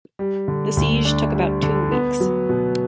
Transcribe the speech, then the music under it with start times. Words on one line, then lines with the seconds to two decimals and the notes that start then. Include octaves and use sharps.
The siege took about two weeks.
0.19 G3
0.48 D3
0.77 D2
1.05 D4
1.34 G3
1.63 D3
1.92 B3
2.20 F#3
2.49 B2